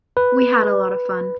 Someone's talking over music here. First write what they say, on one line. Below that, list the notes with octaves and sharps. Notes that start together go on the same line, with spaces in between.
We had a lot of fun.
B4